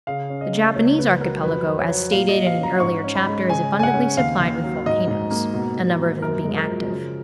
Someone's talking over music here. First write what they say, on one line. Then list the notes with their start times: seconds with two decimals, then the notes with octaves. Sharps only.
The Japanese archipelago, as stated in an earlier chapter, is abundantly supplied with volcanoes, a number of them being active.
0.07 C#3 F5
0.30 C#4
0.41 D#5
0.53 A#3
0.75 C#2 C#5
0.98 C#2 B4
1.21 F#3 A#4
1.43 F2 B4
1.66 F2
1.79 C#5
1.89 F#3
2.12 A#2 F5
2.29 D#5
2.34 A#2
2.47 F5
2.57 C#4
2.63 A#5
2.80 G#2 C#6
3.04 C#4
3.15 B5
3.26 G#3
3.48 C#3 G#5
3.72 C#3
3.79 G#5
3.83 F#5
3.94 C#4
4.17 D#2 F5
4.40 D#2
4.63 F#3
4.86 G#2 D#5
5.08 G#2
5.31 A#3
5.54 B2
5.77 B2
6.00 A#3
6.22 F#2 A#4
6.45 G#3
6.57 A#4
6.68 F3
6.91 C#3